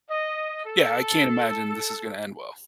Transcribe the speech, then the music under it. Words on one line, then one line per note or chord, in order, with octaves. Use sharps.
yeah, I can't imagine this is gonna end well.
D#5
A4